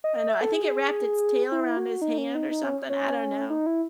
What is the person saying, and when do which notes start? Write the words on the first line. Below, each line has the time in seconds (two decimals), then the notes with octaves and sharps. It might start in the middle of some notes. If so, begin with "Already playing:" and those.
I don't know, I think it wrapped its tail around his hand or something, I don't know.
0.04 D#5
0.17 D#5
0.29 E5
0.41 A4
0.53 G#4
1.52 E4
1.77 F#4
2.02 D#4
2.18 C#4
2.35 D#4
2.51 D#4
2.64 C#4
2.90 C#4
3.50 D#4
3.66 E4